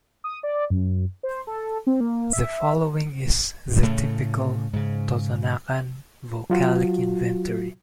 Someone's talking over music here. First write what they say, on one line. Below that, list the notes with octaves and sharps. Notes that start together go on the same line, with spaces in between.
The following is the "typical" Totonacan vocalic inventory.
D#6
D5
F#2
C5
A4
C4
A#3
E5
A2 C#3 A3
G#2 C#3
F#3 F4 F#4